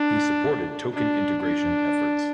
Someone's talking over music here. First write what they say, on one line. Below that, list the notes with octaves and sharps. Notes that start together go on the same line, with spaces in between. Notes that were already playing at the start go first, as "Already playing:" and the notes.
He supported token integration efforts.
Already playing: D4
D4
D4